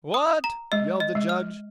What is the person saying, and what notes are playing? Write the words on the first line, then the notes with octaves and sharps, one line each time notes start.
"What!" yelled the Judge.
D#6
A#5
G#3 D#5
D#5
G#3
F6